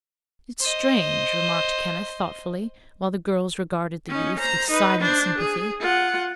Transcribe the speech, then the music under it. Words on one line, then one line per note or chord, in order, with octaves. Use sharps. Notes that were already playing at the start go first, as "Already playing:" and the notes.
"It's strange," remarked Kenneth, thoughtfully, while the girls regarded the youth with silent sympathy.
C5 D#5
C#4 D#4
C5 A#5
D#4 B4
D4 C5
G#4
F4 F#5